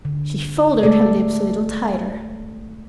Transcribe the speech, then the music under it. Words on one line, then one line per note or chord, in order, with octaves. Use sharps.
She folded her lips a little tighter.
D3
G#3 A3 A4 D5